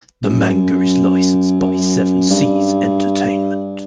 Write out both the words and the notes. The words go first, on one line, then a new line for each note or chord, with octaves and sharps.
The manga is licensed by Seven Seas Entertainment.
F#2
F#2
G2